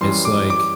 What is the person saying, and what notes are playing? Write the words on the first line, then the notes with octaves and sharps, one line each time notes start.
it's like,
F#2 E3 G3 C6
D6
D6